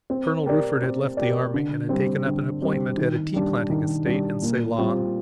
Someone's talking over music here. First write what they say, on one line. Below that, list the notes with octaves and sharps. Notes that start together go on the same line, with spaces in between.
Colonel Rufford had left the army and had taken up an appointment at a tea-planting estate in Ceylon.
C4
G4 A#4 D5
C4
G4 A#4 D5
D3
G3 C4
D3
G3 C4
D#3
G3 D4
D#3
G3 D4
A#2
G3 C4 F4